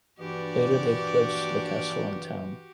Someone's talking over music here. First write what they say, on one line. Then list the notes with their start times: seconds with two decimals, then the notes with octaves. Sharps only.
Later, they pledged the castle and town.
0.20 A#1 G2 E3 D4 F#4 G4 D5